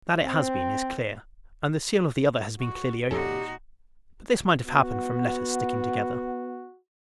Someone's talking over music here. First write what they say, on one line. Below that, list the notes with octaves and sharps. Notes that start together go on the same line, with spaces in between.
That it has been, is clear: and the seal of the other has been clearly opened; but this might have happened from letters sticking together.
C4
F#4
F2 A#2 C#4 D#4 F#4 G4 A4
B3 F#4